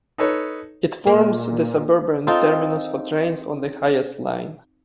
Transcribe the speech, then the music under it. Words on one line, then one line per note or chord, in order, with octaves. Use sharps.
It forms the suburban terminus for trains on the Hayes line.
D#4 A4 B4 C#5
A#2 A#3
C4 D#4 F4 A4